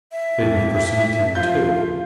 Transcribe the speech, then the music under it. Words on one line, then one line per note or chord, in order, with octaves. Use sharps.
Sydney perceived him too.
E5
F2
F3 F4 F5 G6